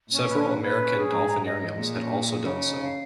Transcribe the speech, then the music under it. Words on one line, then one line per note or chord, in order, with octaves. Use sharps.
Several American dolphinariums had also done so.
A#2 C#4
B4
B4
B4
C#4
G#4
G#2 A#5
A#5
D#5
D#5
A#2 G#4
C#4
G#4
G#4
C#3 D#4
D#4
F5